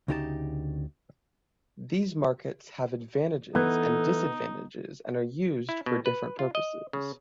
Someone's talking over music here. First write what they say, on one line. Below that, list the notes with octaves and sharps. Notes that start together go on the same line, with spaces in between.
These markers have advantages and disadvantages and are used for different purposes.
D2 C#3 D#4 G4 A#4 A5
E3 B3 D#4 A4
E4
B2
B4
F4
D#5
C#3